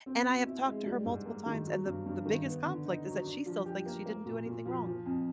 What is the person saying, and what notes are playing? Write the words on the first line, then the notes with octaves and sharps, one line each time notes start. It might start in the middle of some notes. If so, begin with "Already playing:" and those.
and I have talked to her multiple times, and the the biggest conflict is that she still thinks she didn't do anything wrong.
C4
B2
E4
G#3
G3
G#2
A#3
D#3
F#3
G2
G2
D#3
B3
D3
D#4
F#3
D4
F3
G4
A#3
A#3
A#2
A#2
F3
F3
F2